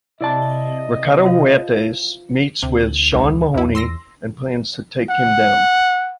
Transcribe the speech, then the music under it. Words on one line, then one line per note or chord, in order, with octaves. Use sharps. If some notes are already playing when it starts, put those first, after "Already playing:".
Ricardo Huertas meets with Sean Mahoney and plans to take him down.
C3 E4 D5 D#5 A5
F4 C5 F5
D2 C3
B1 G#2
B1 E2 E4
C6 E6 A#6
F#5